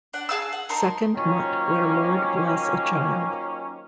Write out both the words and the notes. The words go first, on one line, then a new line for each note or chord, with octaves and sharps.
Second mutt where lord bless a child.
D4 F#5
G#4 F5 A5 E6
F#5
D#4 A#4 A5 C6
D#3 F3 F#3 A#3 C#4